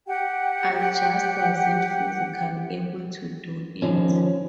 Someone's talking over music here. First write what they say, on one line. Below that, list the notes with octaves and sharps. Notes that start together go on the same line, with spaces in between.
I just wasn't physically able to do it.
G4 F#5 G5
D#3 F3 C#4